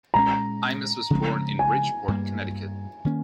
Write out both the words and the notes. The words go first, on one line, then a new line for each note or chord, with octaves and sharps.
Eimas was born in Bridgeport, Connecticut.
A#2 G#3 C#4 A#5
C#3 F3 G#3 C4
G#5
G2 G3 A#3
D#3 A#3 C#4